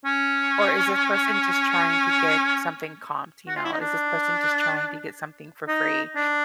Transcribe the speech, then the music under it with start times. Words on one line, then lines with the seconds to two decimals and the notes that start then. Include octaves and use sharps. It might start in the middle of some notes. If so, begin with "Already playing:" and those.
Or is this person just trying to get something comped?" you know, "Is this person just trying to get something for free?"
0.05 C#4
3.48 F#4
3.56 F4
3.65 E4
3.72 D#4
3.81 D4
5.68 D#4
6.16 D4